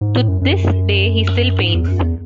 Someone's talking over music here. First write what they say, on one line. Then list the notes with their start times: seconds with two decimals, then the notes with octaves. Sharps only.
To this day he still paints.
0.01 G#2
0.15 A2
0.28 F#2
0.41 F#2
1.60 G#2
1.74 E2
1.88 F#2
2.01 E2